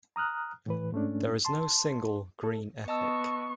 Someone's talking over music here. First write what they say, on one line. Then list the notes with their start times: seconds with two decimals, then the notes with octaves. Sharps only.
There is no single "Green Ethic".
0.16 A#5 D#6 F6 F#6
0.66 A2 E3 B4
0.92 G#2 A3 C#4 D4
1.45 A5 C6
2.43 A4
2.88 B3 D#5 A5 C#6 E6